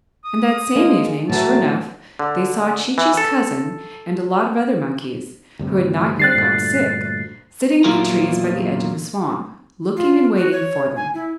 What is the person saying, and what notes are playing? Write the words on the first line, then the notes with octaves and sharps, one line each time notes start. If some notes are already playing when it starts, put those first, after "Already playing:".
And that same evening, sure enough, they saw Chee-Chee's cousin and a lot of other monkeys, who had not yet got sick, sitting in the trees by the edge of a swamp, looking and waiting for them.
D#6
G#3 A#3
A2 E3 F#3 A3 A5
D3
E3
A4
D2 G2 C3
G3 C4 F#6 A6 C7
D2 G2 A#2
E2 A#2 F#3 F4 A#4 A#5
F4
F#4
C#5
G#5
E4